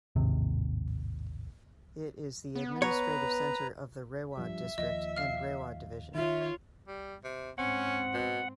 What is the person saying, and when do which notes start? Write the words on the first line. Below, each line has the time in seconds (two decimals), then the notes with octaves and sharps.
It is the administrative centre of Rewa District and Rewa Division.
0.16 A1 D#2 G#2 C3
2.55 B3
2.82 B4 C#5 A#5
4.37 G2 F3 G3 E5
4.78 D#2 F3 D#5
5.16 F5 F6
6.15 D#3 F4 C#5 E5
6.87 G3
7.24 C3
7.58 G#2 C4 C#4 F#5
8.14 B2